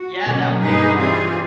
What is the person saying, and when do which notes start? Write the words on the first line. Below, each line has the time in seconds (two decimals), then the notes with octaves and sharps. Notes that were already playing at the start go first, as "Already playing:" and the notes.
Yeah, that would be fun.
Already playing: F#4
0.26 B2 D3 F#3 A#3 C#4
0.61 G2 A#3 D#4 G#4 B4
0.97 E3 G3 C4 F4 G#4